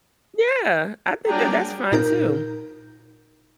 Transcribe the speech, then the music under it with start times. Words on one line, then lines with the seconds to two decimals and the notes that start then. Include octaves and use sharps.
Yeah, I think that that's fine too.
1.27 F#3 G3 A#3 D4 G#4 D5 G5 A#5
1.92 A#2 D#4 A#4 G6